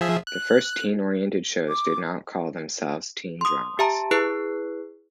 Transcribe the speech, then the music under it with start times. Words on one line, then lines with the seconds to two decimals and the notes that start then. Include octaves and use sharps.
The first teen-oriented shows did not call themselves teen dramas.
0.01 F3 G#4 E5
0.27 F#6
1.68 D6
3.41 C6 D#6
3.79 G4 E5 A5 A#5
4.11 E4 G#4 B4 F#6 C7